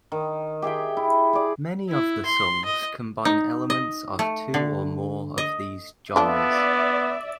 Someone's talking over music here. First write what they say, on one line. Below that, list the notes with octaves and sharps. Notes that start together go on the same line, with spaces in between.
Many of the songs combine elements of two or more of these genres.
D#3
G4 G#4 E5 G5
E4
G#4 D5
E4
C6
D#5
D#4
D#5
A3
D3
D#5
D3 B3 D4 F4 D5 E5